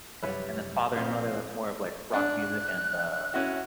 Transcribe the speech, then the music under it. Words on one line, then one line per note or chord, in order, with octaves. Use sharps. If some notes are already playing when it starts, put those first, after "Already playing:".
Yeah, and then father and mother, that's more of, like, rock music, and, uh,
F#2 C3 F3 G3 E4 B4 C#5
A#1 B3 C4 F4
D4 F#6
C#4 E4 F#4